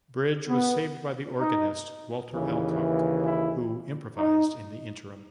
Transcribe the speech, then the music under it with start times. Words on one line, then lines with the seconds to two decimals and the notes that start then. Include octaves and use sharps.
Bridge was saved by the organist, Walter Alcock, who improvised in the interim.
0.47 B3
1.39 D#4
2.32 D#2 C#3 E3
3.25 E4
4.17 D#4